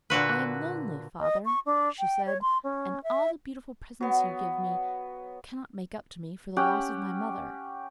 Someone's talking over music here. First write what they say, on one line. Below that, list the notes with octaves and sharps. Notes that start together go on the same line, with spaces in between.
'I am lonely, father,' she said, 'and all the beautiful presents you give me cannot make up to me for the loss of my mother.
A#2 D3 F#4 B4
D#5
C#6
D4
G5
C#5
C6
C#4
E5
F#3 B3
C#4 G4 F#5 G5